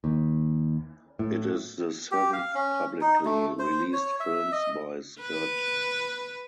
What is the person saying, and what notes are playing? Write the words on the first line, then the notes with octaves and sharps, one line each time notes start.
It is the seventh publicly released films by Scud.
D#2
A2
G4
F5
C#4
D#4
A3
C5
C#5
E5
D#5
B4